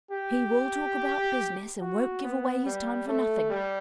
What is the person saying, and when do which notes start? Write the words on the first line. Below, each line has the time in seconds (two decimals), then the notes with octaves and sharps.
He will talk about business, and won't give away his time for nothing.
0.11 G4
1.81 F#4
2.23 B3
2.65 G3
3.07 A3
3.50 G3